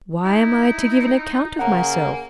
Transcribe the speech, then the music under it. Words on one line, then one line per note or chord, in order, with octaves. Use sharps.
Why am I to give an account of myself?
D#4 E4
C#3 A#3 F#5 A#5